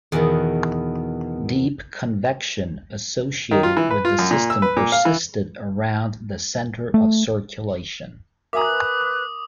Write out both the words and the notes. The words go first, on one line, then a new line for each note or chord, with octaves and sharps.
Deep convection associated with the system persisted around the center of circulation.
E2 B2 D#3
D#3
F4
E3
B4
F4
F#2
A#2
E6
B4
A#2
F5
E3
A3
A#4 E5 G#5 A#5 D6 D#6
B4 F#6
C#6